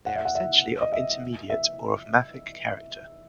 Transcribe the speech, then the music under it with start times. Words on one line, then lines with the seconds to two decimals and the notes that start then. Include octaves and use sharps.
They are essentially of intermediate or of mafic character.
0.06 F#5
0.16 E5
0.25 F#5
0.35 E5
0.81 D#5
0.92 E5
1.50 E5